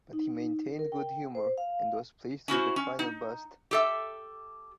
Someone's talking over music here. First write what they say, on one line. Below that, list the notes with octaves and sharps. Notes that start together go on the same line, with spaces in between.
But he maintained good humor, and was pleased with the final bust.
D#4
A#4
G5
C5
F5
C#4 E4 F#4 C5
C#4
D#4
G4 A4 E5